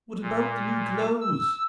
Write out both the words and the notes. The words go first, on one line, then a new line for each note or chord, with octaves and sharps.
"What about the new clothes?"
A#2
E6